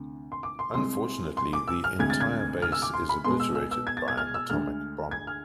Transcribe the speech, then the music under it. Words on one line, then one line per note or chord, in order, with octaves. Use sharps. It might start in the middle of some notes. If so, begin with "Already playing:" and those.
Unfortunately, the entire base is obliterated by an atomic bomb.
Already playing: D2 C3
C6
D6
C6
C2 C3 G#3 C6
C6
D6
E6
F6
D2 C3 G#3 G#6
A6
G#6
F6
E6
D6
C6
B5
B2 G#3 B3 C6
E6
E6
E6
G#6
A6
G#6
F6
E6
D2 D3 G#3 F6
G#6
F6